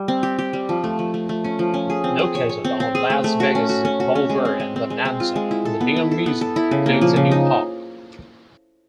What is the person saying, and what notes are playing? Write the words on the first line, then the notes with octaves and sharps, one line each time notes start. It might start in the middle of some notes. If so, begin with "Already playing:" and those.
Located on Las Vegas Boulevard and Bonanza, the Neon Museum includes a new park.
Already playing: G3
C4
G4
G4
G3
F3
A3
F3
A3
A3
C#4
F3
C#4
G#4
C4
G#4
C#5
C#5
C4
C4
G#4
A3
A3
F#4
C#4
F#4
C#4
F#4
C#4
G#3
C4
G#3
C4
G#3
C4
F4
G#3
E4
A4
B3
E4
A4
B3
A4
E4
C#3
A#3
F3
C#3
D#4